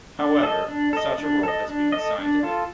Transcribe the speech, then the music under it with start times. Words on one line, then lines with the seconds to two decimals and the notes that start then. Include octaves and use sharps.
However, such a role has been assigned to him.
0.19 D4
0.43 A4 D#5
0.68 D4
0.93 A4 D#5
1.18 D4
1.43 A4 D#5
1.68 D4
1.92 A4 D#5
2.18 D4
2.43 F4 A4